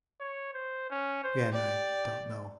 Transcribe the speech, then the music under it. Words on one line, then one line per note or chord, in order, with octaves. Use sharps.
Again I don't know.
C#5
C5
C#4
C5
G4 D5